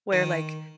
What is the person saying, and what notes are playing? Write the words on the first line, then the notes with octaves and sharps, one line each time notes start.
where, like,
D#3